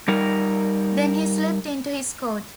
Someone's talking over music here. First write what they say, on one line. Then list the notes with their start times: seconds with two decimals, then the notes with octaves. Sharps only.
Then he slipped into his coat.
0.08 G3 D#4 A#4